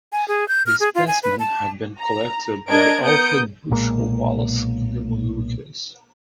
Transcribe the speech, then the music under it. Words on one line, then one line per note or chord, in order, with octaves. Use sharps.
The specimen had been collected by Alfred Russel Wallace in the Moluccas.
G#5
G#4
G6
F6
G#4
F4
G#5
B4
A5
A#5
D4 A#4 D#5 G#6 D7
B3 A#4 D#6 G6 C#7 D7
B1 A#2 G#3 A#3